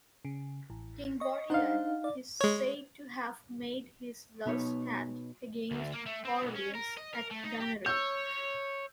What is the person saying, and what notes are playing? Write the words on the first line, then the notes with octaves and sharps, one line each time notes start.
King Vortigern is said to have made his last stand against Aurelius at Ganarew.
C#3
A1
D#5 C#6
D4 D#4 C5 F5 F#5
D5
G#3 C#5
B2 B3 D#4 C#5
D2
A#3
A3
C4
B1
C#4
A#4
D#5
A#4
A3
D#4
G4
C#5 E6 G6